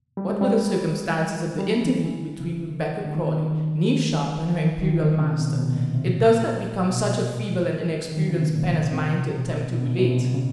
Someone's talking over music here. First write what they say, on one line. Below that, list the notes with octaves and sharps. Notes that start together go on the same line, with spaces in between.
What were the circumstances of the interview between Rebecca Crawley, nee Sharp, and her Imperial Master, it does not become such a feeble and inexperienced pen as mine to attempt to relate.
G3
G#3
G3
G3
F#3
E3
E3
C#3
D3
D#3
E3
D#3
D3
C#3
B2
C3
B2
A#2
C3
A#2
B2
D#3
D3
C#3
C3
A#2
C3
B2
A#2
B2
B2
C3
B2
C3
C#3
C#3